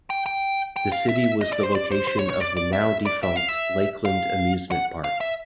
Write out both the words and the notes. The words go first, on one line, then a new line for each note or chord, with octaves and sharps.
The city was the location of the now defunct Lakeland Amusement Park.
G5
G5
G5
F5
E5
D#5
D5
C5
D5
C5
C5
C#5
C#5
D5
D5
E5
D5
E5
F5
E5
F5
F#5
F5
E5